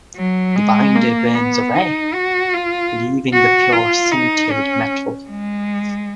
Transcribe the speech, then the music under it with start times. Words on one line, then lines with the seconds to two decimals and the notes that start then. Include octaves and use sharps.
The binder burns away, leaving the pure sintered metal.
0.16 F#3
0.56 G#3
0.95 A#3
1.35 B3
1.75 D#4
2.14 F#4
2.54 F4
3.33 F#4
3.72 F4
4.12 D#4
4.51 C#4
5.30 G#3